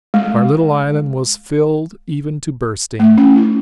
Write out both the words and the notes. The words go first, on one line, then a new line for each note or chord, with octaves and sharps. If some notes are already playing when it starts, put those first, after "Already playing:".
Our little island was filled even to bursting.
G#3
A3
C#4
E4